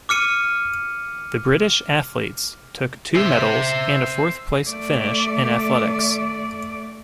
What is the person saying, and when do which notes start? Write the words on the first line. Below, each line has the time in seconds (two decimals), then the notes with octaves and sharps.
The British athletes took two medals and a fourth-place finish in athletics.
0.09 D6 F6 C#7 D#7
3.16 C5 E5
4.66 A3 D5